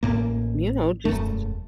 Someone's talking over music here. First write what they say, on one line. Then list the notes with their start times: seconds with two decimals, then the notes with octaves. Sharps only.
you know, just
0.03 A1 A2 A#3
1.05 E1 F#2 A3